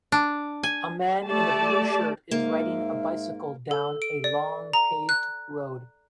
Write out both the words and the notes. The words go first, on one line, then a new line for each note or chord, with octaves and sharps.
A man in a blue shirt is riding a bicycle down a long paved road.
D4
G#5
A3 G4 D5 A5
G#2 A#3 E5
A4
D7
D5
A#5
F#6